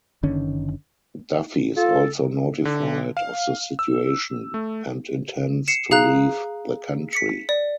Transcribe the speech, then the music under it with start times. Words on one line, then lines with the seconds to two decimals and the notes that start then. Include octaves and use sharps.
Duffy is also notified of the situation and intends to leave the country.
0.23 F#1 D3 D#3 C#4
1.77 F4 A4
2.65 D3
3.17 F5
3.79 E6
4.54 A3
5.68 C7 C#7 E7
5.91 G#4 F5 A#5 F#6
7.13 B6 C#7
7.49 D5